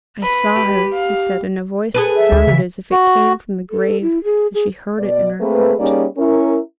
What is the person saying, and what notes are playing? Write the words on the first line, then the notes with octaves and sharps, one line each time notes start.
"I saw her!" he said, in a voice that sounded as if it came from the grave, and she heard it in her heart.
B4
G4
F5
G#4 A4 B4
E5
D2
C#3 E3
F#4
A4
E4
G#4
G#4
B2 D5
A3 A#3 C4 G#4 B4
G3 A#3 C#4 D#4 G#4 D5
C#4 E4 A#4